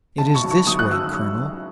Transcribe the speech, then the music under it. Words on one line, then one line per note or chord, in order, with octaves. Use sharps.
It is this way, colonel.
C#3 A5
C#6
F#3
C#6
F#3 D#6
F#6
F#3 E6